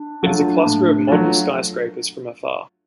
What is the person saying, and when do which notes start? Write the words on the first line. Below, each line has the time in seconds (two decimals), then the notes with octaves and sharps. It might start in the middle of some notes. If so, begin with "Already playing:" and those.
It is a cluster of modern skyscrapers from afar.
Already playing: D4
0.23 F#3 A3 F4
0.65 A2
1.08 F#3 A3 F4